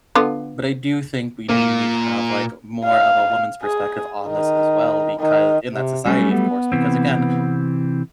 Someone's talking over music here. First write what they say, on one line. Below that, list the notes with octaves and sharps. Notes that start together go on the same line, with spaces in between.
But I do think we do need to have, like, more of a woman's perspective on this as well becau In that society of course, because again,
D3 B3 F4
A#2 A#3
F5
G#4
D#3
D#3
C3
F#3 G3 A3 C#4
B3
C3 E3 C4